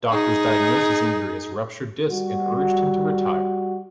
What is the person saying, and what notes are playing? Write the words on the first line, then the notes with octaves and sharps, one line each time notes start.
Doctors diagnosed his injury as a ruptured disc and urged him to retire.
D#4 G#4
G3 F#4